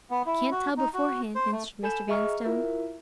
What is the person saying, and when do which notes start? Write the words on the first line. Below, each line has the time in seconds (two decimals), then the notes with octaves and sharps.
"I can't tell beforehand," answered Mr. Vanstone.
0.11 B3
0.26 E4
0.51 F#4
0.77 D#4
0.94 F#4
1.35 C5
1.52 A3
1.83 A4 G#5 B5 G6 E7
2.09 G#4 D#5 E5 A#5 C#6 F6
2.44 E4 F4 A#4 E5